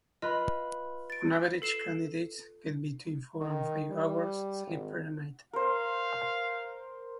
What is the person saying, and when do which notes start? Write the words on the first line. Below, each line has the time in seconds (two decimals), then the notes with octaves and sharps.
On average candidates get between four and five hours sleep per a night.
0.22 F4 B4 D#5 B5
1.10 A6 D7
1.62 A4 C7 E7
3.41 D#3
3.90 G3
4.67 G#1
5.53 A#4 C5 F5